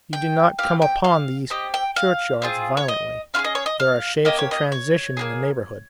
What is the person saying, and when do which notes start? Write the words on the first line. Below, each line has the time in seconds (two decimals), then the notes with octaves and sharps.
You do not come upon these churchyards violently; there are shapes of transition in the neighbourhood.
0.13 G5
0.59 C4 G4 F5
0.82 G5
1.04 F5
1.50 C4 G4 D#5
1.74 G5
1.96 F5
2.42 C4 F4 G#4
2.77 C#5
2.88 D#5
3.34 C#4 F4 F5
3.39 G#4
3.44 D#5
3.55 C#5
3.66 D#5
3.80 F5
4.25 A#3 C#4 G4 D#5
4.39 C#5
4.51 D#5
4.72 C#5
5.17 A#3 D#4 G#4